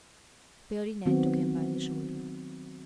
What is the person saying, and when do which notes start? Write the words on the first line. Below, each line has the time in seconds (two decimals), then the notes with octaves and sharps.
Beardy Ned took him by the shoulder.
1.06 D#3 F#3 B3 C4 F#4